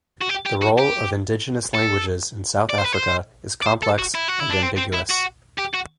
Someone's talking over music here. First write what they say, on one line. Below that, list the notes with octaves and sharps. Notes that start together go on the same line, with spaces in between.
The role of indigenous languages in South Africa is complex and ambiguous.
F#4
G4
G4
F#4
G4
A4
D5
C5
B4
C5
D5
C5
A4
F#4
E4
F#4
E4
D4
C4
C4
E4
F#4
G4
F#4